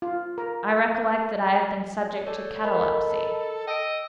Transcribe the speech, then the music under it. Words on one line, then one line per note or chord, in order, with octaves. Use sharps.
I recollect that I have been subject to catalepsy.
F4
A#4
A4 C#5 D5
A#4 D#5 B5
D#5 G5 E6 D7